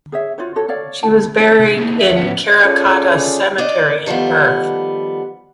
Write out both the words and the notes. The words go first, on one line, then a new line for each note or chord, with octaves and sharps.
She was buried in Karrakatta Cemetery in Perth.
G#4 C#5 E5
F4 F#4 C5 C#5
F#4 A4 C#5
A4 C#5 D5 F5
A5
C3
A#3 C4 D#4 E4 G#4
G#4 A4 E5
A2 B3 C#4 B4 F#5
C#4 F4 G#4 A4 D5
D4 D5 D#5
D#3 F3 G3 A3 B3